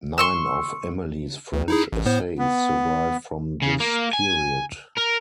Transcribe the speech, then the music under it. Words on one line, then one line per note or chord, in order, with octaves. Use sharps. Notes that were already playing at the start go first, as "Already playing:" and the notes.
Nine of Emily's French essays survive from this period.
C6 C#6 E6
D2
D#4 E4 G#4
A1
A2 B3 C5
B3
C#3
A#3
G#5
A#4